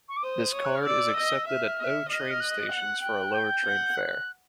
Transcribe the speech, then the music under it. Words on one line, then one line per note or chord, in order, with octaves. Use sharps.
This card is accepted at O-Train stations for a lower train fare.
C#6
D6
C5 D#6
C#5
F#6
F6
D5 E6
D#5
E5 F6
E5
D#5 F6
F#6
F6
F#6
F#5
G5
G6
F#5
F#6